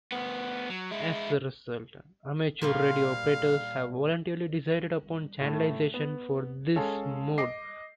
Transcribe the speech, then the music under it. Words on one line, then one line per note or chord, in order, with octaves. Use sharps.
As a result, amateur radio operators have voluntarily decided upon channelization for this mode.
D2 B3
F#3
G#3 E4
A#2 G3 F4 F5
A2 A3
B3
G#3 C#4 G#4 A4 F5
D#5 D6 C7